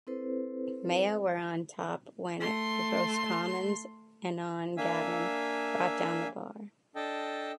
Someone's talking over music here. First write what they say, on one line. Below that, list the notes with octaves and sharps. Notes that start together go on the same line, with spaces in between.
Mayo were on top when Roscommon's Enon Gavin brought down the bar.
C4 E4 A4 B4 C5
A3 C6
A#3 D4 E5 F5 G#5 E6
D4 A4 D#5 G5 A5